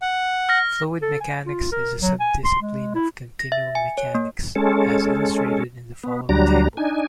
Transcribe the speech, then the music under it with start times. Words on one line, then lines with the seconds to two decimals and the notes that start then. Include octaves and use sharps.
Fluid mechanics is a subdiscipline of continuum mechanics, as illustrated in the following table.
0.02 F#5
0.49 F6 A#6
1.03 A4
1.21 G#5
1.46 F4
1.72 A#4
2.02 F#3
2.20 G#5
2.45 C6
2.62 G#3
2.95 E4
3.39 A#6
3.52 E5
3.75 G#5
3.98 C#5
4.15 A#3
4.55 G#3 C#4 A4
6.03 B3
6.29 D2 F#3 G3 D4 A#5
6.77 D4 D#4 G#5